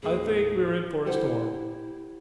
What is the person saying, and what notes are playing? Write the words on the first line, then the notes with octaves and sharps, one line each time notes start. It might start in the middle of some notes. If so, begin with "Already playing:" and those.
"I think we're in for a storm."
D#2 A2 C#3 G#4
E4 G4 C5 F#5